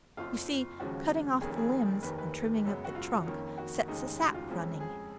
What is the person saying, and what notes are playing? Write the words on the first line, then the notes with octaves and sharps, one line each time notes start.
You see, cutting off the limbs and trimming up the trunk sets the sap running.
F#1 F2 F3 F4
D#2 C#3 F3 G#3 C#4 F#4
F1 F2 D#3 A#3 C#4 G#4
G#4
F1 D#2 D#3 A#3 B4
B4
F#2 C#3 G#3 B3
F#4
F4
F2 D#3 A#3 C#4
F#4
F1 D#2 C#3 G#3 D#4
F#4
F4
F2 F3 G#3 C#4
G#4